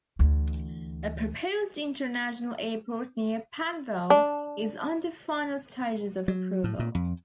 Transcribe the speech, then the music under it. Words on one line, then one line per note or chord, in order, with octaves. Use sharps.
A proposed international airport near Panvel is under final stages of approval.
D2 E3
D4
F#3
A2
A#2
F2